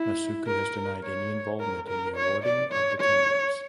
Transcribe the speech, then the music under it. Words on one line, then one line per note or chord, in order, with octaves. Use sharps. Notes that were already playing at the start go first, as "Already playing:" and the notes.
Masuku has denied any involvement in the awarding of the tenders.
Already playing: E4
A#4
C#5
A#4
A#4
C#5
D5
C#5
C#5